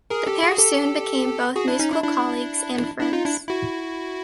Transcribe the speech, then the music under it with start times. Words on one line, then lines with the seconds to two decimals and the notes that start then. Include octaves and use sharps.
The pair soon became both musical colleagues and friends.
0.10 G#4 A#4
0.26 G4 A4
0.43 F#4 G#4
0.58 G4 A4
1.56 F#4 G#4
1.68 D4 E4
1.79 C#4 D#4
1.91 D4 E4
2.03 D4 E4
3.00 D4 E4
3.13 D#4 F4
3.25 D4 E4
3.49 E4 F#4